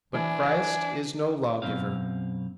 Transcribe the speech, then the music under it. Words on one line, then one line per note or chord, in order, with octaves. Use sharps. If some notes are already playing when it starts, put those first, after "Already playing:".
But Christ is no law giver.
E3 D4 G#5
F#2 B2 D#3 F#3 C4 F5